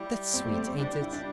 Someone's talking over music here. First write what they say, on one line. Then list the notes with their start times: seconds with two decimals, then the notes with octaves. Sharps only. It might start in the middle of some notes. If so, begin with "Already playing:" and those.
"That's sweet, ain't it?"
Already playing: G3 E4
0.33 C4
0.45 A3
0.56 C4
0.67 C4
0.78 G3 D4
1.02 E4
1.12 D4